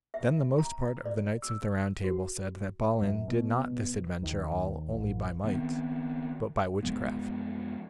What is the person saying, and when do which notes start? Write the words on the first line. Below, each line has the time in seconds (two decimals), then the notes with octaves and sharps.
Then the most part of the knights of the Round Table said that Balin did not this adventure all only by might, but by witchcraft.
0.14 E5
0.58 A#5
1.06 D5
1.42 E6
2.04 F#4
3.02 F#2
3.28 B2
4.22 D#2
4.89 A1
5.44 D#3 B3 C4
6.83 F#2 F3 G#3 B3